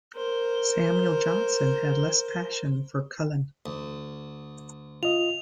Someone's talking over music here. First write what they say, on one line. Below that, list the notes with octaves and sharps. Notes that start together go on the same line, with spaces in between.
Samuel Johnson had less passion for Cullen.
A#4 C5
D2
F4 D#5 F7